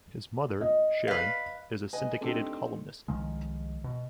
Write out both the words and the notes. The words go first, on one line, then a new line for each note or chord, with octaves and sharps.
His mother, Sharon, is a syndicated columnist.
D#5
B4 F5
B4 D#5 G#5
A3 C4 D4 D#4 G4 A4
C2 D#3 F3 G#3
B2